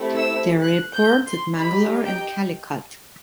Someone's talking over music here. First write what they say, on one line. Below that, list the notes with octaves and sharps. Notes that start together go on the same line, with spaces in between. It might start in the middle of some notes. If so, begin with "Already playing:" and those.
There are airports at Mangalore and Calicut.
Already playing: A3 C4 E4 G4
E6
F#6
G6
C6
D#4 G4 B5
G5